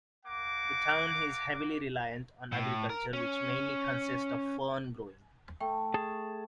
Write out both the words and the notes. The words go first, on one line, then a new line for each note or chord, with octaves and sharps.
The town is heavily reliant on agriculture which mainly consists of fern growing.
A#3 F#5 D6
A2
A#4
C#4
A3 G5
G#4 A5